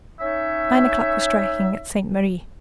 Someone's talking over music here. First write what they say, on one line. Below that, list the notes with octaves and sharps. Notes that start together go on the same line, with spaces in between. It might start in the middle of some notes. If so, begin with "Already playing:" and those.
Nine o'clock was striking at Saint-Merri.
C#4 D#4 C#5 E5